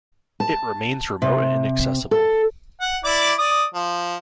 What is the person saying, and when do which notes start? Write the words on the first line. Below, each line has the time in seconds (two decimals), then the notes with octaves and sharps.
It remains remote and inaccessible.
0.40 A5
1.22 C3
2.11 A4
2.81 F#5
3.05 E4 D5 D6
3.38 D5 D#6
3.74 F3